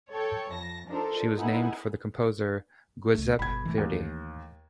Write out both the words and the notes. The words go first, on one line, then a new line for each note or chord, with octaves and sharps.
She was named for the composer Giuseppe Verdi.
A4 C#5 G5
F2 A5 A#6
D4 D#4 F4 A4 A#4 C5
B3 D#4 E4 F#5 G#5
C#2 A3
G1 B2 B5 G#6
E3 A3
D#2